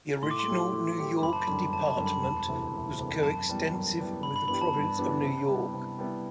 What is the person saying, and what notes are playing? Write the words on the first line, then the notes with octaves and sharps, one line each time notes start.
The original New York Department was coextensive with the Province of New York.
A2 C6
D6
C6
F#3 A3 E4 G4
A2
F#3 A3 E4 G4
F#1 B5
A5
B5
F#2 D3 G3
F#1 A5
A5
F#2 D3 G3
B5
E1 A5
D2 C3 E3
E1
D2 C3 E3
F#2 A5
E3 G3 B3
F#2
E3 G3 B3
G2 B5
B5
E3 B3 D4 G4 B5
A5
G2 B5
E3 B3 D4 G4
C3
G3 B3 E4
C3
G3 B3 E4